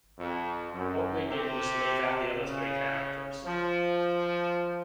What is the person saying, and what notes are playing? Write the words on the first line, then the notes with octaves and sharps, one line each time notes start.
What we did was leave out the other three characters.
F2
F#2
C3
C#3
F3